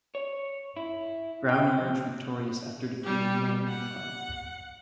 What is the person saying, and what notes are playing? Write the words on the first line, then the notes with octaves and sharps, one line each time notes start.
Brown emerged victorious after defeating Young in the final.
C#5
E4
G5
F3
G3 G4
F#5